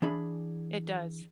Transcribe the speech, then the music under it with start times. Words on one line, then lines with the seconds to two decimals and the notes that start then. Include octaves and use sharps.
It does.
0.02 E3 D4 G#4 B5